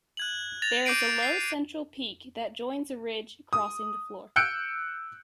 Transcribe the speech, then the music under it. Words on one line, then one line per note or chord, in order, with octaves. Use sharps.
There is a low central peak that joins a ridge crossing the floor.
F#6 G#6 F#7
A6 A#6 F7
D6 G6 C7 D7 D#7
C7
D#6
E6 F#6 G6 C#7 D7